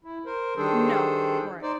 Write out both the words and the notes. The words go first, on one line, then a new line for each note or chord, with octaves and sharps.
No, right.
E4
A#4 C5
D#3 G3 D4 G#4 A4 C5
D#4 C5 D5